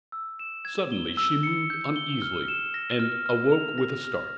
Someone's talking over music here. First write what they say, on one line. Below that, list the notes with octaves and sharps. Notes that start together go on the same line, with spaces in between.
Suddenly she moved uneasily, and awoke with a start.
E6
E7
G#6
G7
E6
C#7
G6
G7
F6
E7
A#6
F6
F6
F7
A#6
F6